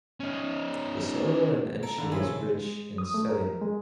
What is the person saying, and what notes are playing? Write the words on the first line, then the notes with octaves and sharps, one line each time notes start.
The soil in Enshi is rich in selenium.
C#4 D#4
A4 A#5 D7
D3 D#3 A#3 B5
A#1 F3 E4 C#5 G#5 C6 E6
C#3
G#3
D#6
A3
A#4
G#3